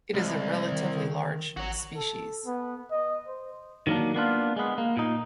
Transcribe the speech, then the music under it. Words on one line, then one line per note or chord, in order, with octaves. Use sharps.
It is a relatively large species.
C2 G#3
D#3
G#1 F#4 C#5
A4
B3
D#5
C5
D#3 F#3 G3 A#3 D4
A#3 B3 D4 F4
G#3 B3
A#3
A#2 D#4